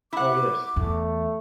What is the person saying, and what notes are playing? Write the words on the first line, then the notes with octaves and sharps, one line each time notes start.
Oh, yes.
E4 F#5 D6
E2 A3